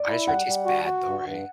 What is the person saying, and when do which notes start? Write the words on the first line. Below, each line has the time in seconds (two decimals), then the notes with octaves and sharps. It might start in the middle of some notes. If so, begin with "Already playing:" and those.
I sure it tastes bad, though, right?
Already playing: D5
0.08 E4
0.27 G3 F#5
0.47 G3
0.65 F#4
0.85 F#4
1.04 G2
1.24 G2